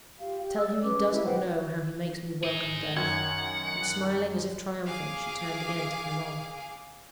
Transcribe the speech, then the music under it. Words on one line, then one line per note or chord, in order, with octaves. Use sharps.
'Tell him he does not know how he makes me welcome death.' And smiling, as if triumphant, she turned again to Clement.
F4 G4 F5
G4
D5 E6
C#4 B4 D6
E4 G4 D#5
B4 C5 F#5 G5
D#4 G#4
F#2 D#3 F#5 G#6
G#4 F5 G#5 D6